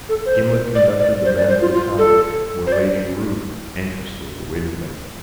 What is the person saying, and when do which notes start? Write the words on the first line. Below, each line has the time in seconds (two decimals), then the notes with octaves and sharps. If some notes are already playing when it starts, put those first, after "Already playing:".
Gimblet conducted the men to the cottage, where Lady Ruth anxiously awaited them.
0.09 A4
0.26 C5
0.75 D5
1.00 D5
1.25 C5
1.37 D5
1.49 C5
1.61 F4
1.74 F4
1.98 A4
2.67 C5
2.72 D5